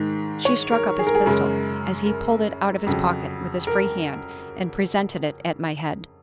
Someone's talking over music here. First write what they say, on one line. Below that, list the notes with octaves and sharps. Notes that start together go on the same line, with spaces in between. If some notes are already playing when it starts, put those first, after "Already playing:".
She struck up his pistol as he pulled it out of his pocket with his free hand and presented it at my head.
Already playing: G#2 D#3 G#3
C#5
A#4
G#4
A#4
G#4
F#2 C#3 G#3 A#4
A#4
F2 C#3 F#3
A#4